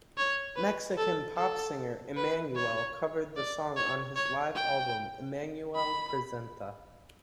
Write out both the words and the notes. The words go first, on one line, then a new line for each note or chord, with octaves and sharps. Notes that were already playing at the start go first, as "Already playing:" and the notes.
Mexican pop singer, Emmanuel covered the song on his live album, "Emmanuel Presenta..."
C#5
B4
A4
A4
B4
C#5
D5
C#5
C#5
G5
B5